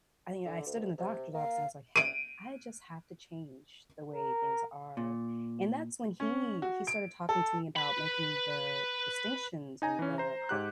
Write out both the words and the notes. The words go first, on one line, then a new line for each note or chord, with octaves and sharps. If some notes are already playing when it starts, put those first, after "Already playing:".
I I stood in the doctor's office, and I was like, "Hey, I just have to change the way things are," and that's when he he started talking to me about making the distinctions, and the car
D3
D2
C3
A#3 F5
D7 D#7
A#4
A#2
C#4
F#4
D7
A4
B4 B5
D#4 G#5 A#5
E3 C#4
C5 A#5
G#2 G4 F#6